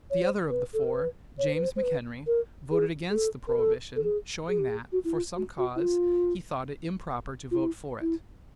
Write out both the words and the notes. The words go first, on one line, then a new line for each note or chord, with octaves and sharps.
The other of the four--James McHenry voted against the prohibition, showing that, for some cause, he thought it improper to vote for it.
C#5
C5
B4
A4
A#4
B4
C#5
C5
B4
C5
C5
B4
A#4
G#4
G#4
A4
A#4
A4
A4
G#4
G#4
G4
G#4
F#4
E4
F4
F#4
F#4
E4
F4
F4
E4
E4